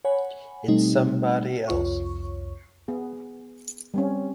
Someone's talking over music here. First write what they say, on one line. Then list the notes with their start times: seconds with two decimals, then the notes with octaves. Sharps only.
It's somebody else.
0.05 C#5 F#5 G#5 B5
0.68 B2 G3 A3 C4 D#4
1.68 C2 F2 F4 C#5 C#6
2.88 B3 G#4
3.94 G3 C4 C#4